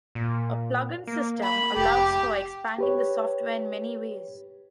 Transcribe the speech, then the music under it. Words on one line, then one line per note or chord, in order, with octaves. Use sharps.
A plugin system allows for expanding the software in many ways.
A#2
A#3
B5
F1 G4
G4 B4 C#5